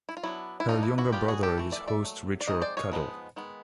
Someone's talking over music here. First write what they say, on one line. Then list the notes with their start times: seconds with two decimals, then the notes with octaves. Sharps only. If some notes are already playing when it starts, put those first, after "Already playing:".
Her younger brother is host Richard Cadell.
0.09 E4
0.17 F4
0.23 F#3 B3 D4 E4
0.60 E4
0.68 F3 A#3 D4 D#4 F4
0.83 E4
0.98 E4 F#4
1.12 G3 B3 D4 F4 G4
1.28 F#4 G#4
1.43 G4 A4
1.58 E3 A3
1.72 D5 E5
1.88 D5 E5
2.03 F#3 A3
2.41 D5
2.47 G#3 C4 D#4 D#5
2.62 C5 D5
2.77 C#5 D#5
2.92 F3 G#3 B3 D#4
3.36 D#3 G#3 B3